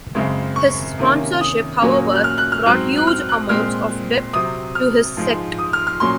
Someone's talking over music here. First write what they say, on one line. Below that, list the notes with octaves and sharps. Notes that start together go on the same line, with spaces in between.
His sponsorship, however, brought huge amounts of debt to his sect.
F#2 C#3 G#3 C4
C#6
C3 D#3 A#3 C#4
D#6
A#2 F#3 A#3 C#4
F#6
F6
F#6
F6
G#2 F#3 C4 F#6
F#6
F6
F#6
A#2 G#3 C4 F6
C3 F#3 C4 D#6
F6
G#2 F3 G#3
D#6
F6
F6
A#2 F#3 C#4 C6